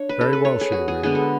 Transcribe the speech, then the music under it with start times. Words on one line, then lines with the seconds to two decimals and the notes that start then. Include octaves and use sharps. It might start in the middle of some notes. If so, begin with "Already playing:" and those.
"Very well," she agreed.
Already playing: D4 C#5
0.09 B4
0.21 A4
0.33 B4
0.45 C#5
0.61 G#4
0.72 F#4
0.88 G#4
1.03 D3 G#3 B3 D4 G#4
1.15 A4